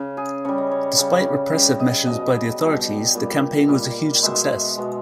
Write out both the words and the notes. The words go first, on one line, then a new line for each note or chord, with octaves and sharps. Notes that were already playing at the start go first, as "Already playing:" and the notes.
Despite repressive measures by the authorities, the campaign was a huge success.
Already playing: C#3
G#4
C#3 G3 C#5
D#5
C#5
C#3 G3
C#3 G3 D#5
D#5
B2 G3 D#5
B2 G3
A#2 G3
A#2 G3
G5
B2 G#3 E5
B2 G#3